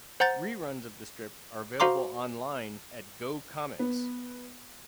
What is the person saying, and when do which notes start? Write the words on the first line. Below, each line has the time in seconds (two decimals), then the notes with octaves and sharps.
Reruns of the strip are available online at GoComics.
0.20 C5 F#5 A#5 G6 A6
1.80 F#4 C5 F5 A#5 C6 D6
3.79 B3